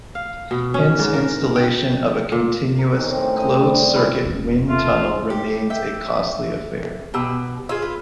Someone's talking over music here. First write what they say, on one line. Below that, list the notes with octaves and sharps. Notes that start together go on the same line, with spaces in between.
Hence installation of a continuous, closed circuit wind tunnel remains a costly affair.
F5
B2
C#4
G#2
A#4
G5
A#2
A#4
D#3 C4 C#4
A2 C#4
C4 D#5
G3
E3 C#4 E4
E1 C#2
A3 F4
G4
E5 G5
B2 G4 B5 E6
F4 G#4 E6
B4